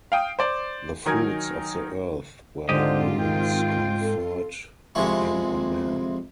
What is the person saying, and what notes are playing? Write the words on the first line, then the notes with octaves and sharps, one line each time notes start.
The fruits of the earth were boons conferred by him on men.
F5 G5 D#6
C5 D5
D#3 F#3 D#4 A#4 G#5 G#6
G#2 D3 C4 F4 G4 C5 D#5
D#3 G5
A4
F2 C3 G#3 E4 C#6